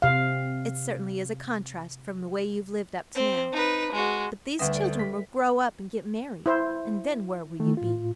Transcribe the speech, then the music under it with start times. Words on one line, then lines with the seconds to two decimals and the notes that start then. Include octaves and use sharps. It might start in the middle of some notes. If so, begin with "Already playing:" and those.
It certainly is a contrast from the way you've lived up to now. But these children will grow up and get married, and then where will you be?
0.02 C3 F5
3.15 C4 C5
3.52 D#4 B4
3.92 G#3 F#4
4.59 D2 D3 G3 B4 E5 D#6
4.75 A4 D5
4.99 B6
6.46 E4 C5
7.60 D#3 A3
7.77 A2 F4